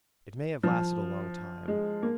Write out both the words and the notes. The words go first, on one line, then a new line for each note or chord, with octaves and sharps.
It may have lasted a long time.
F3
G#3
A#3